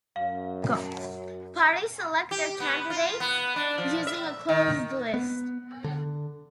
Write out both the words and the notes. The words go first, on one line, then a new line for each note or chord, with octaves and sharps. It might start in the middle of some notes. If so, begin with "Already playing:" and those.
Parties select their candidates using a closed list.
F#2 F5
G4
B3
F4
B3
D4
F3
E5
D#3
B3
D3